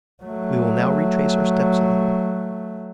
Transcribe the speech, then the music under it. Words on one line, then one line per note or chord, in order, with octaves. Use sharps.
We will now retrace our steps a little.
F#3 A3